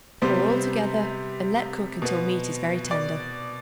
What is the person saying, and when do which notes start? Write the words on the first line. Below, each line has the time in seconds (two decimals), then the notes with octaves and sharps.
Pour all together and let cook until meat is very tender.
0.22 C3 G3 B3 C5
2.02 B2 B3
2.91 D5